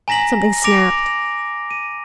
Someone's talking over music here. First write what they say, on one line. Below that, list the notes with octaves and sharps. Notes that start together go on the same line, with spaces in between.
Something snapped.
G#5 A#5 A#6 B6 F#7
D6 A#6 D7 F7
D#7